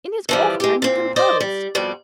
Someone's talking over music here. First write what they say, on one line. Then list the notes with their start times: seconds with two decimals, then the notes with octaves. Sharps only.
'In his off time, he composed.
0.29 E3 F3 G3
0.60 G#3 G4
0.82 A#2 C4
1.16 C5 D5 D#5
1.40 G3
1.75 F2 B2 G3